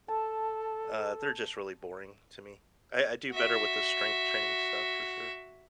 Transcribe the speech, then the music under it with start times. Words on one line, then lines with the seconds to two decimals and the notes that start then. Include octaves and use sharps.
uh, they're just really boring to me. I I do better with the strength training stuff, for sure.
0.08 A4 A5
3.32 F#4 E5